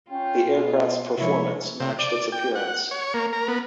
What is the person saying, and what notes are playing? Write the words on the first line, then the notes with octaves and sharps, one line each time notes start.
The aircraft's performance matched its appearance.
C#4 F4 G5
B2
C3 F3 G#3 D4 E4 C#5
C3
D5
G5
F#5
C#5
A#3
A#4
B3